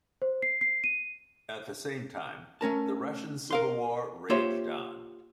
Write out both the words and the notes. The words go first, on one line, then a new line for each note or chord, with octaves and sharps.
At the same time, the Russian civil war raged on.
C5
C7
C7
D#7
A3 C#4 A#4 A5
A#4 F5 C6
A#3 F4 G4 C5 C#5 E5